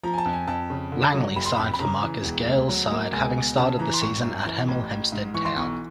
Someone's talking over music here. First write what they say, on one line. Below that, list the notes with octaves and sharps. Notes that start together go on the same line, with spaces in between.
Langley signed for Marcus Gayle's side having started the season at Hemel Hempstead Town.
F3 A#5
G#5
A5
F2
G#5
F2 A5
C#3
D3
F#3
F#1 B5
C6
F2 B5
B5
C#3 A#5
E3
E1
D2
F#3
A#3
C#2 G#5
B2
C#3 A5
E3 A#5
C6
G#1 C#6
F#2
E3
A1
A1
G#2
E3 C#6
C6
B1 C#6